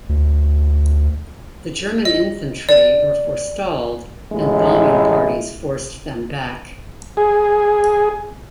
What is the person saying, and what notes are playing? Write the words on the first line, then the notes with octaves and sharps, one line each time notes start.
The German infantry were forestalled and bombing parties forced them back.
D2
D#5
D5
A1 G#3 E4
G#4